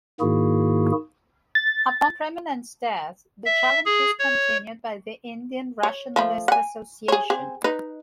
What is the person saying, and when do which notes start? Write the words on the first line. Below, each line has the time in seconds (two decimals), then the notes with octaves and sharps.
Upon Premanand's death, the challenge is continued by the Indian Rationalist Association.
0.20 G#2 D#3 A#3 E4 F#4 G#4
1.55 A6
3.46 E5
3.86 G#4
4.19 C#5
5.83 C#5
6.16 F3 A3 B5
6.48 F#5 G#5
7.08 G#4 C#5
7.30 C4 G#4
7.64 D#4 B4